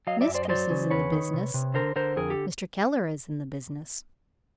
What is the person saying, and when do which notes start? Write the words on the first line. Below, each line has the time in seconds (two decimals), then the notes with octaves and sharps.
Mistress is in the business; Mr. Keller is in the business.
0.07 F#3 D#5 F5
0.21 D5 E5
0.28 F#2
0.35 C5 D5
0.45 D#5
0.49 F#3 C5 D5
0.70 C#3
0.91 E2 B4 C#5
1.12 D#3
1.33 C3
1.54 C3
1.74 D3 A#4 C5
1.96 D3 A#4 C5
2.16 F2 G#4 A#4
2.30 G4 A4